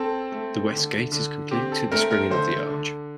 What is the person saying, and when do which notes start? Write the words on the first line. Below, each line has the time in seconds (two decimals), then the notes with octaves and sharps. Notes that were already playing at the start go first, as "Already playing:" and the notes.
The west gate is complete to the springing of the arch.
Already playing: C4 A4
0.32 A3
0.73 D3
1.12 D3
1.51 C4 G4
1.72 A4
1.92 A3 A#4
2.11 A#4
2.30 D3 C5
2.70 D3